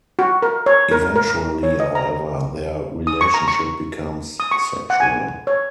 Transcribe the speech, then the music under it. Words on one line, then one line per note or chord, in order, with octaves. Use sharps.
Eventually, however, their relationship becomes sexual.
F#4
A#4
C#5
A#4
A#4
C#5
D#5
A#5
D#6
C#6
A#5
C#6
D#6
C#6
F#5
G#5
C#5